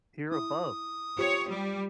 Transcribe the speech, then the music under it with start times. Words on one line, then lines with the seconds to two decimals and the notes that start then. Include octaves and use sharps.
here above,
0.32 E4 D#6
1.18 F4 G4 C5 C#5
1.49 G3